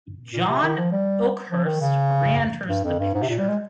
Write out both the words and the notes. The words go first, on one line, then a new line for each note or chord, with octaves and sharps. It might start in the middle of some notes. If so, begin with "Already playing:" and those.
John Oakhurst reenters the picture.
A#2
C3
D#3
F3
G3
F3
D#3
C#3
G2
F2
G2
G#2
C3
A#2
G3
G#3